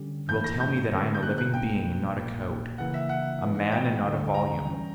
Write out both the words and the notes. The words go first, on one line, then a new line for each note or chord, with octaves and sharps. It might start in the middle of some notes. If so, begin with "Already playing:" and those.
You will tell me that I am a living being, and not a code--a man, and not a volume.
Already playing: D3 G3 C#4 G4
G2 E3 A#3 G6
A#6
G6
D3 A#3 C#4 G4 B4
G6
F#6
F#6
B1 B2 A#3 D4 G5
A#1 A#2 A#3
C#3 E3 A#3 F#5
E5
F#5
E3 B3 D4
G5
D2 D3 G3
A#5
E3 G3 C#4